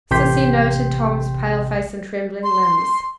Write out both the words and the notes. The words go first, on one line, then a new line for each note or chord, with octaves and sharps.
Sissy noted Tom's pale face and trembling limbs.
A1 C3 G5 C6 G6 B6
C6